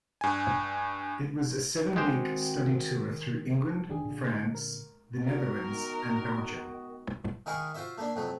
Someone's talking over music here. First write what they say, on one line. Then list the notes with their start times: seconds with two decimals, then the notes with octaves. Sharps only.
It was a seven-week study tour through England, France, the Netherlands and Belgium.
0.21 G2 G#5
1.96 D#3 G#3 C4 F#4 G4 C5
3.89 F1 D#3 E3 D4 G4 G#4
4.05 A#2 D3
4.55 A#4
5.25 D#3 B3 F#4 A#4
7.46 D#3 E4 G#4 A#4 F5 C#6
7.75 F4 F#4 C5 E5
7.98 A3 A#3 D4
8.16 F2 F#3 A3